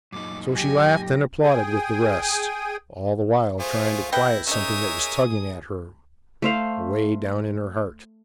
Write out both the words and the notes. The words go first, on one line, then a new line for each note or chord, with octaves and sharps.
So she laughed and applauded with the rest, all the while trying to quiet something that was tugging at her away down in her heart.
F#2 A#2 D#4 D6
F#3 G4 G#5 A#6
G#4 G5 G#5 D#6
A3 F4 G#4 C5
B2 E4 B4 G5 A#6
C#3 D#4 G#4 A#4 C#5 E5 D#6
A3 C5 F5